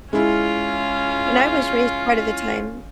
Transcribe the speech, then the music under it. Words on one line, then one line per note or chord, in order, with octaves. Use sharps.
And I was raised part of the time
G#3 C#4 E4 F4